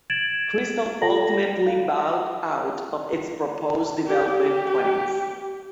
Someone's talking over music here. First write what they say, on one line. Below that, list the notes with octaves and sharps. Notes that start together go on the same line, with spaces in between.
Crystal ultimately bowed out of its proposed development plans.
G#6 A6 D7 E7 F#7
F4 A4 G5 A#6 F#7
F5
G4
G4